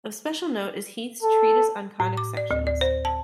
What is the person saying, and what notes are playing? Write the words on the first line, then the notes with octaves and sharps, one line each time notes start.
Of special note is Heath's "Treatise on Conic Sections".
A4
A2
D6
D5
D2
D5
C5
A5